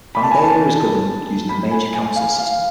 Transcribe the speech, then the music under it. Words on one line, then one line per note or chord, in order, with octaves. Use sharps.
Vandalia is governed using the mayor council system.
B5
A5
G#5
A5
B5
G#5
G#5
F5
F5